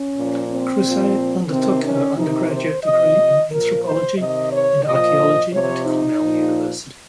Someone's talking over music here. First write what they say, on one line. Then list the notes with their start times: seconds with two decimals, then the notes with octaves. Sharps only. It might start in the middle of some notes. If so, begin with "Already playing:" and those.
Kruse undertook her undergraduate degree in Anthropology and Archaeology at Cornell University.
Already playing: C#4
0.16 A#2 F3
0.50 C4
0.83 A#2 F3
1.50 C3 D#3 C4
1.85 C#4
2.17 C3 D#3 D#4
2.51 C5
2.84 C3 F3 D#5
3.51 A#2 F3 A#4
3.85 C5
4.18 C3 D#3 D#5
4.51 C#5
4.85 A#2 F3 D#5
5.52 C3 F3 C#5
5.86 D#4
6.20 A#2 F3